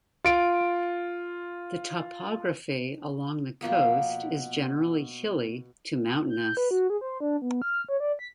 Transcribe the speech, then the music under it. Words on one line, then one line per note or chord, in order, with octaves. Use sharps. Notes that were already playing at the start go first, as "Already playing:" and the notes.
The topography along the coast is generally hilly to mountainous.
F4 D7
B2 F3 A#3 B3
G6
B4
F#4
G#4
C5
D4
B3
F6
C#5
D5
B6